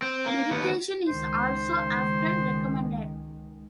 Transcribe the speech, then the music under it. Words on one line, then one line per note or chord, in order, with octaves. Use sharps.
Meditation is also often recommended.
C4
A#3
D#2 B3
C#2 D#3 G#3 C5